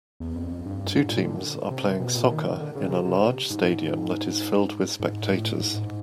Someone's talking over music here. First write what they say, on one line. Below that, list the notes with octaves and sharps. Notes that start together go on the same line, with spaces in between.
Two teams are playing soccer in a large stadium that is filled with spectators.
E2
F2
F2
G2
G2
G#2
A#2
D3
C3
B2
A#2
D#3
D3
C#3
C3
C3
G#2
G#2
A2
G#2